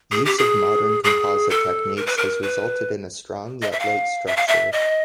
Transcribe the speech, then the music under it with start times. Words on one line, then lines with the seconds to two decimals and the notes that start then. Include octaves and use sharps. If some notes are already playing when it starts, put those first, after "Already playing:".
Use of modern composite techniques has resulted in a strong yet light structure.
0.12 G#4
0.25 G4
0.38 G#4
1.04 G#4
1.50 A4
1.96 A#4
2.06 B4
2.17 A#4
2.42 B4
3.62 D#5
3.72 E5
3.79 F5
4.27 E5
4.36 F5
4.47 E5
4.72 D#5